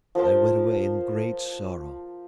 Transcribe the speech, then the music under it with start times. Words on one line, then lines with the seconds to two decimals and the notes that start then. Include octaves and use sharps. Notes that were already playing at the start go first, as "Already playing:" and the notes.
I went away in great sorrow.
0.15 F3 A#4 C5 A5